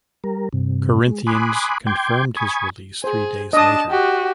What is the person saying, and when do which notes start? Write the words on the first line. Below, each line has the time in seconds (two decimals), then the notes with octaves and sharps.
Corinthians confirmed his release three days later.
0.24 G3 A#4
0.53 G2 C3
1.07 G#3
1.27 G#5 B5 C6 D6 D#6 F#6
1.87 G5 C6 D6 G6 G#6
2.37 G#5 B5 C#6 D#6 G#6
3.04 G#4 C5
3.53 D4 D#5 A5 D#6
3.90 F#4 G4